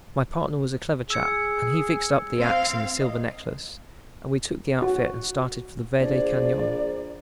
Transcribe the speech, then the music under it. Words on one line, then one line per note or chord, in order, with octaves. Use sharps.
My partner was a clever chap, and he fixed up the axe and the silver necklace, and we took the outfit and started for the Verde Canyon.
G#4 E6 G#6 C#7
C4 F5
D#5
F#4
A#1 G#4 C5 D5